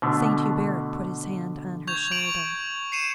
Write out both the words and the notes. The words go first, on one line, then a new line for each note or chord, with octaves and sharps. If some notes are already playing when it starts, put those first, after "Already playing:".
Saint Hubert put his hand on her shoulder.
B2 D3 A3
C#6 G6 G#6 F7
C#6 D7 F7 F#7
C7 C#7 D#7 E7